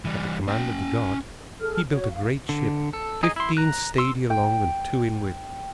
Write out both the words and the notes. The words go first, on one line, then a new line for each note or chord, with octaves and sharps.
At the command of the god he built a great ship fifteen stadia long and two in width.
E3 G3
C#4 G5
G#4 A4 F6
F#4 C#5
F5
D3
A4
D#4 G#4 D#5 G#5
E4 C6
A#5 F#6
C6 E6
G5